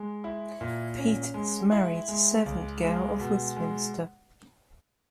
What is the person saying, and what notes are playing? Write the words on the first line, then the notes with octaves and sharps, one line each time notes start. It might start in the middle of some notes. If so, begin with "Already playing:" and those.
Peters married a servant girl of Westminster.
Already playing: G#3
E4
A#2
C#4
G#3
E4
G#3
C#2
G#3
B2
G#3